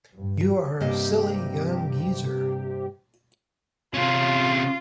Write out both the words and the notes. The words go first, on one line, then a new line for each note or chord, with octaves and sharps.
You are a silly young geezer.
G2
G2 C3 A#3 G4 D#5
C3 C#4 F4